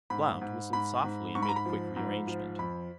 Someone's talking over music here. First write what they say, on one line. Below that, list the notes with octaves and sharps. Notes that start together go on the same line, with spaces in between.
Blount whistled softly and made a quick re-arrangement.
G#2 B5
G#2
G#2 B5
G#2
G#2 C#6
B5
A#5
B5
F3
G#2
F3
F2 B5